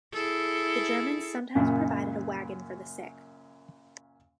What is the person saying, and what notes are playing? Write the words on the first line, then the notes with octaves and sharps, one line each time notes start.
The Germans sometimes provided a wagon for the sick.
E4 G#4 A4
F#2 A#2 C#3